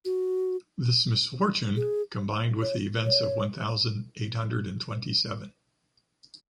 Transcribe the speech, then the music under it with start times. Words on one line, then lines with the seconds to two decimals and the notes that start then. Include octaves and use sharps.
This misfortune combined with the events of one thousand eight hundred and twenty-seven.
0.05 F#4
1.76 G#4
2.62 C#5
3.05 C#5